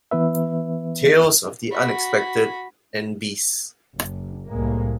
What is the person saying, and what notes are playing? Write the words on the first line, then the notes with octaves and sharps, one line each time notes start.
"Tales of the Unexpected" and "Beasts".
E3 B3 B4 E5
F#4 B5
F#1
C2 A2 G#3 A#3